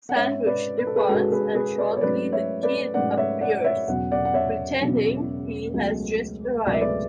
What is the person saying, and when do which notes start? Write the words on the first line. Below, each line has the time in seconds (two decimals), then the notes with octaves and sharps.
Sandridge departs and shortly the Kid appears, pretending he has just arrived.
0.09 F#5
0.16 G#2 G#3 C#4 C#5 E5
0.46 B4 D5
0.78 B4
0.87 A4
0.96 G#4 B4
1.08 G#2 G#3 C#4 F#4 A4
1.32 G#4 B4
1.55 G#4 B4
1.78 B4 D5
1.97 C#5
2.01 G#2 F#3 A3 C#4 B4 D5
2.32 C#5 E5
2.63 B4 D5
2.94 G#2 F#3 A3 C#4 D5 F#5
3.17 C#5 E5
3.41 D5 F#5
3.64 C#5 E5
3.87 E1 E2 C#3 F#3 F#5
4.12 D5 F#5
4.25 F#5
4.34 C#5 E5
4.81 E1 E2 C#3 F#3
5.74 C#2 B2 F#3 A3
6.66 C#2 B2 F#3 A3 D5
6.73 E5
6.81 B4 D5